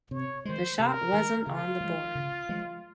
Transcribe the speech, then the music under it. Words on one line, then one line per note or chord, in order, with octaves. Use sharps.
The shot wasn't on the board.
C3 C#5
D#3 G#3 C5
C3 A#4
D#3 G#3
C#3 F4
F3 G#3
C#3
F3 G#3